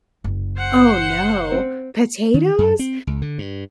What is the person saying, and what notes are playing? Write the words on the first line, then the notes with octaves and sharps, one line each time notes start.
Oh no, potatoes?
F#1
C5 F#5
C4
D#3
F#2
C4
C#2
D3
G2